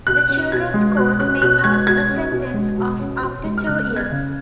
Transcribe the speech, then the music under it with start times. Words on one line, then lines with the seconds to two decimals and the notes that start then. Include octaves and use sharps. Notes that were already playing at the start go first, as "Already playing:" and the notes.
The Children's Court may pass a sentence of up to two years.
0.07 B2 F#6
0.29 C#4
0.52 B2 G#6
0.74 G#3
0.97 B2 F#6
1.19 C#4 F#6
1.42 B2 F#6
1.64 G#3 G#6
1.87 B2 G#6
2.09 C#4
2.32 B2
2.54 G#3
2.78 B2
3.00 C#4
3.22 B2
3.44 G#3
3.58 F6
3.67 C#3 F#6
3.90 B3
3.96 G#6
4.11 C#3